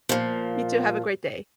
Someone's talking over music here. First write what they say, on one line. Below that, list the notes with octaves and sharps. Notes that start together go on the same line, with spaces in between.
You too, have a great day.
A#2 F3